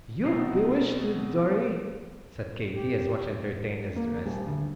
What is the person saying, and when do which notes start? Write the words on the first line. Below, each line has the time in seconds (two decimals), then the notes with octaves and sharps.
"You've bewitched it, Dorry!" said Katy, as much entertained as the rest.
0.23 B2 B3 C4 D#4 C7
2.73 G4
3.96 A#3
4.26 D#1
4.46 D2